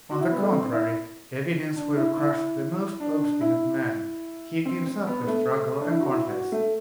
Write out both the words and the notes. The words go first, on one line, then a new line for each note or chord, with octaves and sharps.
On the contrary, evidence will crush the most obstinate man; he gives up the struggle, and confesses.
F#4
E4
B3
G3
A3
C4
E4
D4
E4
E4
D4
D4
E4
C4
C4
B3
B3
A3
D4
E4
F#4
E4
F#4
F#4
A3